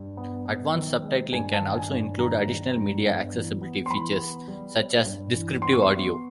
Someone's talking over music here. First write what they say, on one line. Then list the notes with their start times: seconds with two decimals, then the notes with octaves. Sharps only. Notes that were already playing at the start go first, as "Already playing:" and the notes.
Advanced subtitling can also include additional media accessibility features such as "descriptive audio".
Already playing: G2
0.17 B3
0.46 B3
0.75 D#3
1.03 G#3
1.32 G2 G#5
1.53 A5
1.61 D#3
1.76 G#5
1.89 G2
2.19 D#3 A#5
2.47 D#3
2.76 G2
3.04 B3
3.33 E3
3.61 B3
3.86 C6
3.91 E3 B5
4.19 B3
4.48 G3
4.77 G3
5.06 G2
5.34 E3
5.62 B3 C6
5.73 C#6
5.83 C6
5.91 B3